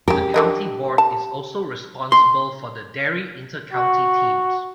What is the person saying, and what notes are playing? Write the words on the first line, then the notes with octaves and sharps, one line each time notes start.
The county board is also responsible for the Derry inter-county teams.
C#3 G4 A#4
D3 A#4 D#5
A5
C6
F#4